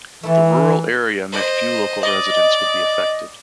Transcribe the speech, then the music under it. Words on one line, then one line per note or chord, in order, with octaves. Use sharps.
The rural area meant few local residents would be affected.
E3 A3 E4 A4
C5 D#5
D5 D#5